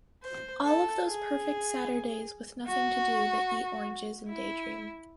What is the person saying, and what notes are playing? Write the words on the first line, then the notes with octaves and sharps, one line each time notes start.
All of those perfect Saturdays with nothing to do but eat oranges and daydream.
C5
A4
G#4
F#4
E4